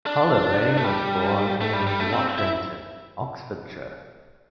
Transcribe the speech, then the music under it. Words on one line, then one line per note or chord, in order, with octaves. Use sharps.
Holloway was born in Watlington, Oxfordshire.
D4
A3
G3
A3
G3
G3
A3
C4
E4